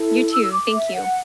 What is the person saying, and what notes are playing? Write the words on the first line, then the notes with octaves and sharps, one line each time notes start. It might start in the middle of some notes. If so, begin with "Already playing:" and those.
You too. Thank you.
Already playing: E4 A4
E6
D6
E5
F#5